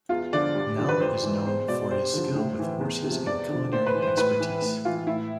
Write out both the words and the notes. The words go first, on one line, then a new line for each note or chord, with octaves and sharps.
Nala is known for his skill with horses and culinary expertise.
E2 F4
D3 F3 D5
G2
D3 F3
B4
F2 C5
E3
E2 C5
B2 D5
G2 C5
D3 F3
A2
E3
E2
C3 F3
E2 D5
D3 F3
A2 C5
B4
E3
C5
A2 B4
E3
A2
E3 F4
A2 E4